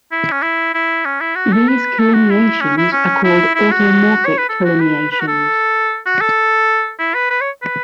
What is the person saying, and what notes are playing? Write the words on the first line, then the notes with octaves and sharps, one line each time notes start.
These collineations are called automorphic collineations.
E4
C#4
E4
E4
C#4
E4
F#4
A4
B4
A4
F#4
E4
C#4
E4
C#4
E4
E4
F#4
C#5
B4
A4
F#4
B4
B4
F#4
A4
F#4
A4
E4
B4
B4
C#5
B4